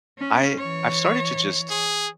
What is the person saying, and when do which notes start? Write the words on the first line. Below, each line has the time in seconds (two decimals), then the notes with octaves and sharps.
I I've started to just
0.19 C#4
0.58 E3 C#5
1.71 G#4